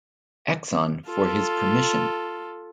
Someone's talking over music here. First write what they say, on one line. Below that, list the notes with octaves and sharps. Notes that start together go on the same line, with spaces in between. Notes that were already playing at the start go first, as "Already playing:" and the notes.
Exon for his permission.
F4 A4